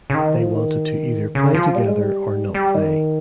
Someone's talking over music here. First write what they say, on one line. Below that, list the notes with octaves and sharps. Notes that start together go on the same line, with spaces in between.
They wanted to either play together or not play.
C#3
D#3
F3
D#3
C#3
F3
G3
G#3
G3
G3
D#3